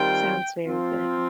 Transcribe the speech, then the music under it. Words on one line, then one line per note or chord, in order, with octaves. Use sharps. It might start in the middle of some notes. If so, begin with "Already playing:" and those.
Sounds very good.
Already playing: D#3 G3 C4 F4 G5
F3 C4 F4